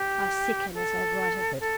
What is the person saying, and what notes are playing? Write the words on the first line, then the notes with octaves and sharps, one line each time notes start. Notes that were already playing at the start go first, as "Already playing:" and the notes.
I sicken as I write of it.
Already playing: G4
A4
A4